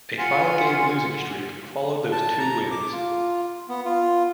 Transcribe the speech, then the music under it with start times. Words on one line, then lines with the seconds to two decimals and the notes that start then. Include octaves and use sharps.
A five-game losing streak followed those two wins.
0.17 F4 F#5 G#5 C6
2.12 A5
2.39 A#5
2.71 D6
2.92 F4
3.69 B3
3.85 F4